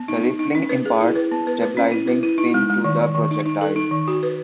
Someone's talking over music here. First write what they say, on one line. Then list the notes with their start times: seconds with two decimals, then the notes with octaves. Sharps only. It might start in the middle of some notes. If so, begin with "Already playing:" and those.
The rifling imparts stabilizing spin to the projectile.
Already playing: B3
0.08 D#4
0.24 D#4
0.39 D#4
0.55 C#4
0.69 B4
0.85 G#4
1.01 E4
1.15 B4
1.32 B3
1.47 B4
1.62 B4
1.77 C#4
1.92 E4
2.07 B4
2.23 E4
2.38 D#4
2.54 G#3
2.70 G#3
2.84 D#3
2.99 D#3
3.15 D#3
3.31 D#4
3.46 D#4
3.61 A4
3.76 D#4
3.91 D#3
4.08 F#4
4.23 B4